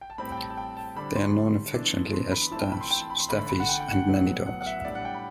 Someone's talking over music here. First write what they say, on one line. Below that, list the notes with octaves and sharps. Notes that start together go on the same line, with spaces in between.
They are known affectionately as "staffs", "staffies", and "nanny-dogs".
G5
A5
A2 G3 C4 B5
G5
A5
A5
G5
A5
D3 G3 D4 B5
C6
E3 B3 D4
C6
B5
E3 A3 C4 A5
G5
B5
C6
G5
A5
B5
C6
D3 A3 D4 B5
B5
F#5
G5
G5
F#5
A2 F#3 B3
F#5
F#5
E5
E5
A2 G3 D4 D5
F#5
G5
B5